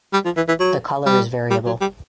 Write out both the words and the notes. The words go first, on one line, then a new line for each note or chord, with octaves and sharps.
The colour is variable.
G3
F3
E3
E3
F#3
G3
G3
F#3
G3